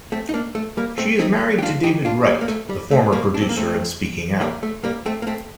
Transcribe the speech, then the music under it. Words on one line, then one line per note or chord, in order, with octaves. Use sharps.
She is married to David Wright the former producer of Speaking Out.
A3 C4
D#4
A#3 D4
A3
G3 A#3
A3 C4
C4 D#4
G4
D4 F4
D#4 G4
D4 F4
G3 A#3
A#3
A3
G3
A3
G3 A#3
D4
C4
A#3
A3 C4
G3 A#3
A3
G3 A#3
A3 C4
A#3
A3 C4